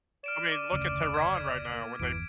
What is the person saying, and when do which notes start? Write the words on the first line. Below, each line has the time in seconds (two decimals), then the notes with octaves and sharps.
I mean, look at Tehran right now when they
0.24 D5 F6 D7 E7
0.52 D6 D#7
0.72 F1 D2 C#3
1.14 G#6 B6
1.72 A#3
2.00 G1 E2 E3 D7